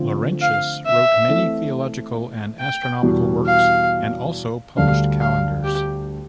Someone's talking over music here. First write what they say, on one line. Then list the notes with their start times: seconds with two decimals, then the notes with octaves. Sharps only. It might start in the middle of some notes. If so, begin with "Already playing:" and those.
Laurentius wrote many theological and astronomical works and also published calendars.
Already playing: D3 F3 A3 C4 F4
0.42 F5
0.86 E5
1.29 E3 A3 C4
2.59 G5
3.03 E2 B2 G3
3.46 F5
4.77 D2 D3 G3 D4 F5
5.20 F5
5.64 G4